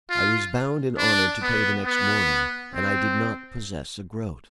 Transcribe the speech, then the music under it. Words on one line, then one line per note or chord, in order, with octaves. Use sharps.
I was bound in honour to pay the next morning, and I did not possess a groat.
F4
D4
B3
B3
C4